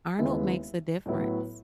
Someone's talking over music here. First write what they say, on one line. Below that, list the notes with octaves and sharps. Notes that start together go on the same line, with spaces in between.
Arnold makes a difference.
D#2 C#3 G#3 B3 E4 E5
A2 F#3 B3 E4